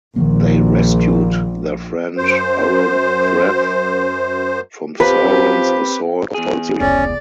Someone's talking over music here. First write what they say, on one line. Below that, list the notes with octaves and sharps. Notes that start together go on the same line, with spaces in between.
They rescued their friend Orodreth from Sauron's assault at Tol Sirion.
A#1 D#3 F3 A#3
F#2 C5
F3 C4 G4 B4
E2 G#4
F1 C#2 C#4 D5